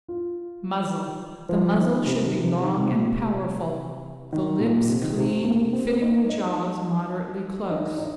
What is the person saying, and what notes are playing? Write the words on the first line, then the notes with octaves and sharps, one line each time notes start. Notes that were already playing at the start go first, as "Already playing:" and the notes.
MUZZLE--The muzzle should be long and powerful; the lips clean, fitting the jaws moderately close.
F4
F3
D#3
C3
D#3
C3
D#3
C3
A#2
C3
D#3
A#2
C3
D#3
C3
C3
A#3
C4
D#4
D#4
D#4
D#4